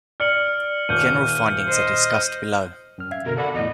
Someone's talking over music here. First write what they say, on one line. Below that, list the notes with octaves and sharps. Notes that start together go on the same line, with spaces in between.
General findings are discussed below.
D5 F6 C#7 F#7
D#1 F6 G6 D#7
C5 D#5
F#2 F6
E5 F5 G#6
B2 D3 A#4
A4 D5 F#5 B5
E2 A2 D#5